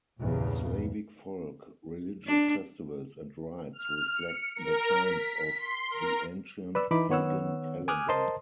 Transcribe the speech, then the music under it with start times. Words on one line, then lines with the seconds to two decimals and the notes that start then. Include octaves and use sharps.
Slavic folk religious festivals and rites reflect the times of the ancient Pagan calendar.
0.20 A#1 E2 G2 C#3
2.27 D4
3.73 F6
4.16 C#7
4.56 A#4
5.01 B6
5.59 C6
5.90 A#4
6.75 B4 D5 E6
6.91 E3 D#4 B5 D6
7.10 D#3 B3 C#5 F#5 E6
7.88 G#5 D6 D#6 F6 F#6 G#6
8.09 A#4 C5 D#5 A5 C6